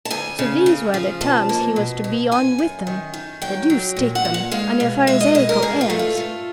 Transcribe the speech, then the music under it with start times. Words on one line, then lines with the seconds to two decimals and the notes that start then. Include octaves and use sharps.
So these were the terms he was to be on with them--the deuce take them and their pharisaical airs!
0.05 A5
0.11 D2 G#5
0.39 C#3
0.66 C#3
0.94 F3
1.21 B2 A5
1.49 A#3
1.76 B2
2.04 B2
2.31 F#2 G#5
2.59 F#2
2.87 D#3
3.14 D#3
3.42 F#3 G5
3.70 F#3
3.97 A#2
4.15 F#5
4.25 A#2
4.34 F#5
4.52 G#3 F5
4.80 B2
5.07 G#3 E5
5.21 D#5
5.35 B2 D#5
5.49 A#4
5.62 G2 G#4
5.81 F4
5.90 A3
5.99 F4
6.17 A3